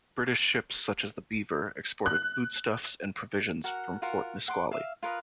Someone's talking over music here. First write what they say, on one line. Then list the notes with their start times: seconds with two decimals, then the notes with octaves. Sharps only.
British ships such as the "Beaver", exported foodstuffs and provisions from Fort Nisqually.
2.06 F#6
3.64 F#4 A#4 F#5
4.02 F4 F#4 A#4 F#5
4.48 F#5 C6 D6
4.71 E5 F5
5.03 F4 A#4 B4 D#5